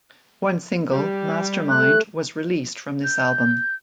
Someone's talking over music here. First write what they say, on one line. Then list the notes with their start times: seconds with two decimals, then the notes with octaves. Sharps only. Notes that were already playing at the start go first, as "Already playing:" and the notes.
One single, "Mastermind" was released from this album.
0.91 G3 G4
1.70 A3 F#6
3.04 G6